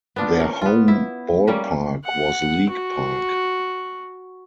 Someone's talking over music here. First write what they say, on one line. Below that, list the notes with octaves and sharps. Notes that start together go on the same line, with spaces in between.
Their home ballpark was League Park.
B3 D4 F4
C#4 A#4
B3 F4
E4
G3 A#3 C#4
F#5
F#4